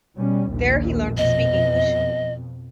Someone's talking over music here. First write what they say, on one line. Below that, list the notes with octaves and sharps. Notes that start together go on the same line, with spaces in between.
There he learned to speak English.
B2 G3 C#4
A#1 D#2 A#2
F2 B2 D#5